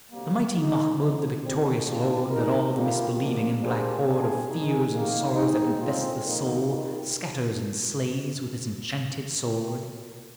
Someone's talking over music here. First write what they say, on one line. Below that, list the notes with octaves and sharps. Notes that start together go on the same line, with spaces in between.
The mighty Mahmud, the victorious Lord, That all the misbelieving and black Horde Of Fears and Sorrows that infest the Soul Scatters and slays with his enchanted Sword.
D2 C3 G3 A#3
A#2 G#3 D#4
D2 D3 F3
A#2 G3 C4
G2 D#3 G#3 D4 F4
D#3 G#3 D#4 A#4
D3 G3 A#3 F4
A#1 G#2 F3 A#3
A#2 G3 D4 G#4 C5
G2 D3 G3 D4 G#4
D#3 G#3 D#4 G#4
F2 D#3 A#3 D#4
D#3 G#3 C4 D#4
D3 G#3 C4 F4 C5
F2 D#3 A#3 D#4
D#2 D#3 G3 A#3 F4